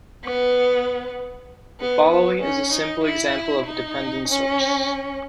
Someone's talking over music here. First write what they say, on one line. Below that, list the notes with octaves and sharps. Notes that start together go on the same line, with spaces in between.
The following is a simple example of a dependent source.
B3
B3
B3
C#4
D#4
E4
D#4
C#4